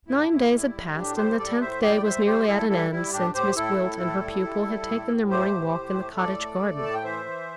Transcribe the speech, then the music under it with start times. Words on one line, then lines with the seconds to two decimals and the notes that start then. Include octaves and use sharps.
Nine days had passed, and the tenth day was nearly at an end, since Miss Gwilt and her pupil had taken their morning walk in the cottage garden.
0.08 A2 E4
0.18 D4
0.28 A2 E4
0.51 G3
0.73 A2
0.95 A2 D4 G4
1.16 G3 G4 C5
1.38 A2 A4 D5
1.60 A2 C5 E5
1.82 G3 D5 G5
2.03 G3 C5 E5
2.26 G3 G4 C5
2.47 G3 E4 A4
2.69 G3 E4 A4
2.91 G3 E4
3.12 A2 D4 G4
3.34 A2 G4 C5
3.56 A2 E4 A4
3.78 A2
4.00 A2
4.21 G3
4.43 G3
4.65 G3
4.87 A2
5.08 A2
5.30 A3 G4 C5
5.51 A2
5.73 A2
5.95 A3
6.17 A2 A4 D5
6.39 A3
6.60 A3
6.83 A2 A5
6.94 G5
7.03 E3 C5 E5
7.26 E3